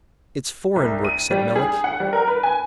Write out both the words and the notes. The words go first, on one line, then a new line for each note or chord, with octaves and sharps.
"It's foreign work," said Melick.
C2
D#7
G3
G#4
F#5
G3
A#4
B4
G#5